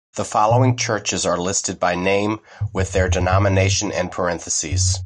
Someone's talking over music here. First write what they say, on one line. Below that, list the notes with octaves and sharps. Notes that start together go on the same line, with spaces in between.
The following churches are listed by name, with their denomination in parentheses.
A#2
G#2
F#2
F2
F2
F#2
G2
F#2